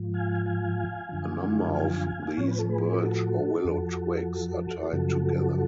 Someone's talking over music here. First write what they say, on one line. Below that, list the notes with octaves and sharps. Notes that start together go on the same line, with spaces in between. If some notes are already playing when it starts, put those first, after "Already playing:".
A number of these birch or willow twigs are tied together.
Already playing: G#2 F3
F5 G#5
F5 G#5
F#2 D3 F3
F5 G#5
A2 F3 C#5
B4
A4
G#4 B4
B4
F#4 A4
F2 F3
F#2 C#3 F3 F#4 A4